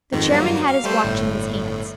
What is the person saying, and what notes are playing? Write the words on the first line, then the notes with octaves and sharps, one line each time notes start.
The chairman had his watch in his hands.
F2 G#2 D#3
G2 F#3 A#3
F5
G3 A3 C5
G1 A2